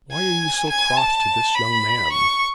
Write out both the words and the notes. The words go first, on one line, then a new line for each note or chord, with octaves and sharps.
'Why are you so cross to this young man?'
G#5
G#5
A5
B5
C#6